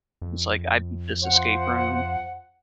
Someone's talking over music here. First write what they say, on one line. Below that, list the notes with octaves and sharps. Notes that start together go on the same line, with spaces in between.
That's like, "I beat this escape room."
F2
F3 C5 F#5